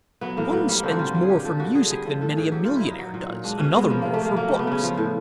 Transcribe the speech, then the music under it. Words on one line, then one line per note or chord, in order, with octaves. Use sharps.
One spends more for music than many a millionaire does; another more for books.
F#3 B3
A2 A#3
A2 B3
G3 A#3
D3 C4
F#4
G3 F4
F#3
G#4
A#2 G4
A#2 A4
G3 F#4
D3 G#4
G3 G#4
F3 A4
A2 A4
A2 G#4
F#3 G4
A#2 F4
E4
A#2 D#4
F#3
A#2
A#2
G#3 D4
B2 C#4
G#3 B3
F3 A#3
C3 A#3
A3
C3 A#3
F#3 A#3
C#3 A3
B3
C#3 C#4
F3
A2